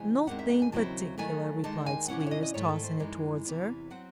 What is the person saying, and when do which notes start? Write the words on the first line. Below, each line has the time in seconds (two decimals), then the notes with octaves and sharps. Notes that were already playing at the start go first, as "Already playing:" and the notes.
'Nothing particular,' replied Squeers, tossing it towards her.
Already playing: E2 C#3 E3 G#3 C4 G#5
0.27 D#2 D#3 G#3 C4 F#5
0.39 E5
0.50 F#5
0.62 G#5
0.72 D#2 C#3 F#3 C4 E4 A5
1.18 D#3 F#3 A3 G#5
1.64 D#2 D#3 G#3 D#4 A5
1.86 G#5
2.08 C3 E3 A3 C#4 E4 F#5
2.20 F#5
2.27 C#5
2.31 D#5
2.43 D#5
2.54 G#2 D#3 A3 C#5
2.69 A4
2.84 C5
2.99 F#2 E3 G#3 D#4
3.45 E2 C3 E3
3.90 F#3 C4 F#5